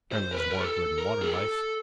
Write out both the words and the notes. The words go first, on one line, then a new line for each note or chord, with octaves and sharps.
German's more good in modern life.
C5
A#4
B4
A#4
A4
A#4
G#4
A4